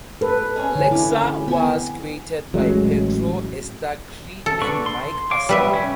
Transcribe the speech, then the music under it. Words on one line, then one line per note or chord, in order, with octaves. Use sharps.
Lexar was created by Petro Estakhri and Mike Assar.
A4 B4
C#4 G#4 C#5
D3
C#4 E4 G4 F5
B3 G4 F#5 G#5
A1 F#3 G#3
A4
D3 B4 C#6
C6
C#5 F5 D6
G3 B4 E5
C#3 C#4